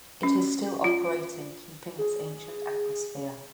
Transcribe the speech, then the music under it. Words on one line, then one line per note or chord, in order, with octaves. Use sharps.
It is still operating keeping its ancient atmosphere.
C#4
F4
G#4